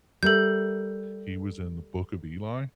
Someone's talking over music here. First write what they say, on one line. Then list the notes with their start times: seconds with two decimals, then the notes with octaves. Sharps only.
he was in The Book of Eli.
0.23 G3 A4 A#4 E5 G6